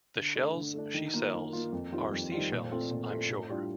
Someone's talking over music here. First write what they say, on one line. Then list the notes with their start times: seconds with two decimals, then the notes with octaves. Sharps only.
The shells she sells are sea-shells, I'm sure.
0.15 D3
0.35 A3 D4
0.55 D3
0.74 A3 D4
0.94 D#3
1.14 A#3 F4
1.33 D#3
1.53 A#3 F4
1.72 F2
1.92 D#3 G3 C4 F4
2.12 F2
2.32 D#3 G3 C4 F4
2.51 A#2
2.71 A3 C4 F4
2.91 A#2
3.11 A3 C4 F4
3.30 A2
3.50 G3 D4 F4